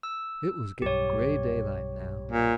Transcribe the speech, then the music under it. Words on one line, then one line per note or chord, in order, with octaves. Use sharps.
It was getting gray daylight now.
E6
B1 G2 G4 C#5
A#2